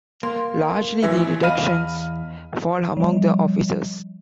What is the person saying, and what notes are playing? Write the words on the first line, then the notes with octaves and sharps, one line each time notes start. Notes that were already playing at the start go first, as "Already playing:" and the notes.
Largely, the reductions fall among the officers.
A#3 C6
A1 E3 E5
E2 D#5 F5 B5 F6 D#7
F3 G3